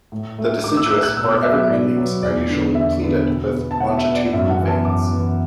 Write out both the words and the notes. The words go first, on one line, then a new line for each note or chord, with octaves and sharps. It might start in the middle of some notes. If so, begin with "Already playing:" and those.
The deciduous or evergreen leaves are usually pleated, with longitudinal veins.
A2
A3
A2 D6
E6
F#6
A3 E6
F#6
B2 E6
D6
B3 E5
F#3
E5
B2 D5
F#3 B3
E2 D5
D3 B3
E2 E5
D3 B3
B2
B3
A5
B2 F#5
E5
B3
D5
F#2 E5
F#5
E3 B3
A5
F#2 D6
E3 B3